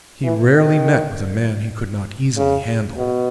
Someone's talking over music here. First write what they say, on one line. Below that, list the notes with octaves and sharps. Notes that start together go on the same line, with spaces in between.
He rarely met with a man he could not easily handle.
E3
D#3
C#3
B2